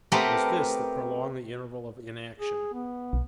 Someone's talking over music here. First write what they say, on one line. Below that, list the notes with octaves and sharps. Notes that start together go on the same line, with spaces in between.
It was this that prolonged the interval of inaction.
A3 B3 C4 G4 A#4
G#4
B3
B1